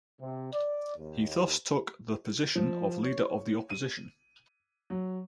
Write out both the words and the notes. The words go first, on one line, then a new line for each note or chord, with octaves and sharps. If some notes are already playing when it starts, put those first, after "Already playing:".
He thus took the position of Leader of the Opposition.
C3
D5
D#2
F3
C#5
D#7
F#3